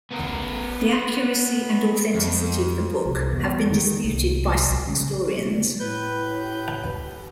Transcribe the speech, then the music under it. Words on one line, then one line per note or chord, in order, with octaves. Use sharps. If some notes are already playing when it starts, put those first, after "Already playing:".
The accuracy and authenticity of the book have been disputed by some historians.
B3 A#4
F2
C2
E2
D#3
C2
A#1
C#3
A2 B4 G6